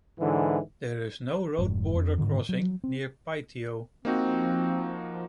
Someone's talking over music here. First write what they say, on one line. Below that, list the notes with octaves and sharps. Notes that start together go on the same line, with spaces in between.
There is no road border crossing near Pythio.
G#2 D3 E3
F1 G#2
F2
G#2 D3 D#3
F#3
C4
F3 A#3 C4 D#4 F#4